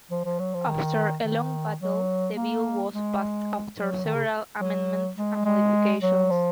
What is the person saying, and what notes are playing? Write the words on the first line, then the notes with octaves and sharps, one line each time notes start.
After a long battle, the bill was passed after several amendments and modifications.
F3
F3
F#3
F3
D#3
D#3
F#3
A#3
G#3
F#3
D#3
C#3
F#3
G#3
G#3
F#3
F3